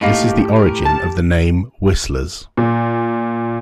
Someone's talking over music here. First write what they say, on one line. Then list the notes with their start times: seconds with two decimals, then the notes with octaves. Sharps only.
This is the origin of the name "whistlers".
0.01 A2 A#3 D#4 G4 B5
0.56 A#4
0.85 A5
2.57 A#2